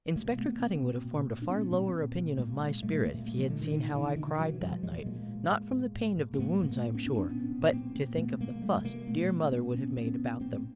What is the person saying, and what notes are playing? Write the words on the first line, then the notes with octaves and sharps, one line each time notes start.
Inspector Cutting would have formed a far lower opinion of my spirit, if he had seen how I cried that night; not from the pain of the wounds, I am sure, but to think of the fuss dear mother would have made about them.
B2 G#3 A#3
B2 A3 B3
B2 A#3 C4
B2
A#2
A#2
D4
A#2 B3 C#4
A#2 A#3 C4
A#2
A#2
A#2 G#3 A#3
A#2
A#2 G3 A3
A#2 G#3 A#3
A#2 G#3 A#3
F#3 G#3
A#2 D3
D#3
B2 D#3
B2 D#3
B2 D3 E3
B2 E3 F#3
A#2 F3 G3
A#2 F#3 G#3
A#2 G#3 A#3
A#2
A2
A2
A2
A2
A#3
A2 A3 B3
A2 G#3 A#3
A3 B3
A2
B3 C#4
A2 C4 D4
C4 D4
A#2 B3 C#4
A#2
A#2 A#3 C4
A#2 A#3 C4
B2 A3 B3
B2 G#3 A#3
B2 G3 A3
B2 G#3 A#3
A#2 A3 B3
A#2
C#4
A#2 A#3 C4
A#2 B3 C#4
A#2 B3 C#4
A#2
A#2 A#3 C4